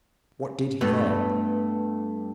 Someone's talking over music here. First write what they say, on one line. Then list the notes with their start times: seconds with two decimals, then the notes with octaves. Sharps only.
What did he there?
0.81 G2 A3 B3